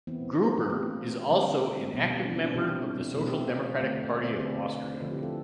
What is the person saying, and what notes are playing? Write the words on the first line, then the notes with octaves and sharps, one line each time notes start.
Gruber is also an active member of the Social Democratic Party of Austria.
E3 B3 C4 E4
C5
B4
A4
G4
E3 A3 C4 D4 F4
D3 G3 C4 D4
C4
B2 G3 B3
D4
C4 E4
D4 F4
C3 E3 B3 E4 G4
B2 A3 C4 F4 A4
G4 B4
C5 E5
D5 F5
D3 A3 C4
C5 E5
B4 D5
D3 A3 C4 G4 B4
B4
D3 F3 C4 F4 A4
E4 G4
F4 A4